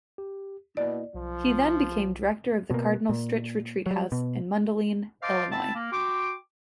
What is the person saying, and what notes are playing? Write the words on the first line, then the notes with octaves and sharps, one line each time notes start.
He then became Director of the Cardinal Stritch Retreat House in Mundelein, Illinois.
G4
B2 A#3 E4 D5 D#5
B1 F3
B2 A#3
A#2
F#3 G3
B2
C5 D#5 F5 A5 C6 D6
C4 E4 A5
A#3
F#4 G5 C6 D6